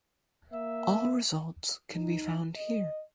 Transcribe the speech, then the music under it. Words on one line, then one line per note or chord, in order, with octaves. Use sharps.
All results can be found here.
A#3 E5
D#4
D#5